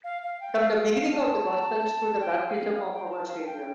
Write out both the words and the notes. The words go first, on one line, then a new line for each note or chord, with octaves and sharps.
From the beginning of the Gospels to the Baptism of our Saviour.
F5
F5
G5
F5
F5
A5
G5
F5
F5
G5
A#5
A5
F5
A5
G5